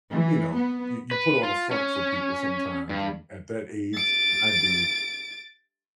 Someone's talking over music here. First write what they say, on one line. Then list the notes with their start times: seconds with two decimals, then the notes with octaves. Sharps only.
you know, you you put on a front for people sometimes, and at that age, I did.
0.11 E3
0.55 B3
1.11 B4
1.43 F4
1.71 C#4
2.89 G2
3.94 A6 D7